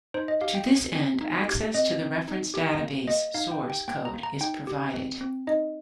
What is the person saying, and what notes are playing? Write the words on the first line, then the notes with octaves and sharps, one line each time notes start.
To this end, access to the reference database source code is provided.
D#4 C5
D#5
G4 F5
G5
C4
C4
D#4
G4
C4 D#5
C4
D#4
G4
A#3
A#3 D#5
D#4 F5
G5
G4
G5
A#3 G5
A#5
A#3
A#5
D#4 G5
G4
C4
C4
D#4 D#5